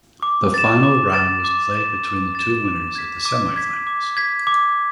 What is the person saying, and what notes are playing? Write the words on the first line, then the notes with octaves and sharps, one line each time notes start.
The final round was played between the two winners of the semifinals.
D6
A6 E7
D6
A6 E7
D6
A6 E7
D6
A6 E7
D6
G#6 B6
D6
G#6 B6
D6
G#6 B6
D6